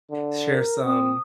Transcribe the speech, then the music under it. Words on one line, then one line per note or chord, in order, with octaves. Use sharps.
share some
D3
A#4
C4 D#6